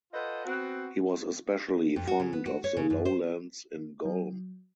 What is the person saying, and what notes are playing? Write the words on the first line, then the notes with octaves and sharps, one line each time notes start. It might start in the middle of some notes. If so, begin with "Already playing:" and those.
He was especially fond of the lowlands in Golm.
F4 A4 B4 C5 D#5 F#5
B3 C4 F#4
F2
F#4
C#3
B3
F#4
C#5
C#3
F#2
C5
F#3